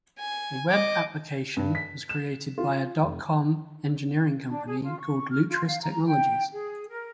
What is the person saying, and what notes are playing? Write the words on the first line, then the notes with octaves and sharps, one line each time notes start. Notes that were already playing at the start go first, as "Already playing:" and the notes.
The web application was created by a dot com engineering company called Lutris Technologies.
G#5
D#5 D6
G2
B6
E7
F4
F1
D4
G#4
F4
C#6
F6
F4
F5
A#5
G5
G#4
A#4